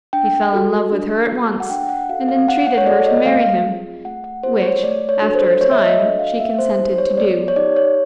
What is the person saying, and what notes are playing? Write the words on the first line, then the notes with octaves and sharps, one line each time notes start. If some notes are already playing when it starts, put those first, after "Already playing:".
He fell in love with her at once, and entreated her to marry him, which, after a time, she consented to do.
D4 G5
F#4 A4
D4
F#4 A4
F#5
D4 G5
F#5
F#4 A4 F5
F5
D4 F#5
F#5
C#5
F#4 A4 D5
D#5
A3 F5
C4 F4 G#4
A3 F#5
F#5
C4 F4 G#4 C5
C#5
A3 D5
C#5
D4 F#4 A4
C5
A3 C#5
E5
D#5
D4 F#4 A4 D#5
F5
B3 E5
C5
D#4 G4
C5
C#5
B3 D5
C#5
D#4 G4 D5
C#5